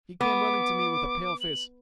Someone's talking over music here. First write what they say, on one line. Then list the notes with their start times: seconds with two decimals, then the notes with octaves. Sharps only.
He came running to me with a pale face....
0.21 B3 D6
1.40 F#7